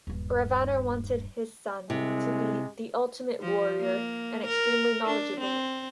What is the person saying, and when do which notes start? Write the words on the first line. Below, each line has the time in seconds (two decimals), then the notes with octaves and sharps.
Ravana wanted his son to be the ultimate warrior and extremely knowledgeable.
0.07 D#1 G2
1.90 C2 C3 G#3
3.41 F3
3.80 A#3
4.47 A#4
5.05 D4
5.41 C4